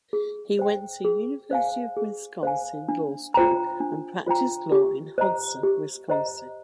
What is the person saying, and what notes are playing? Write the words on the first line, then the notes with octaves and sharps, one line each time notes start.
He went to University of Wisconsin Law School and practiced law in Hudson, Wisconsin.
G#4
C5 G5
G#4
C5 F5 G#5
G#4
C5 F5 G#5
D4
F4 C5 G5 A#5
D4
F4 C5 G5 A#5
G4
C5 D#5 A#5
G4
C5 D#5 A#5